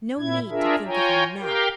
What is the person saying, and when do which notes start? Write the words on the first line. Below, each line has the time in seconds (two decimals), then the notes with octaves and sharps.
No need to think of him now.
0.18 A#2 E4 G#6
0.50 D4 F4 G#4 A#4 E5
0.87 F4 C#5 G5 G#5 A#5
1.40 G4 A#4 F5 G5